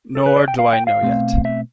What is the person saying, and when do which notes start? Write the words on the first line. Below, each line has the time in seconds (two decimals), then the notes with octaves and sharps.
Nor do I know yet.
0.15 A4
0.26 B4
0.36 D5
0.48 G5
0.59 F5
0.73 G5
0.87 F5
1.02 B2 A3 C4
1.45 E5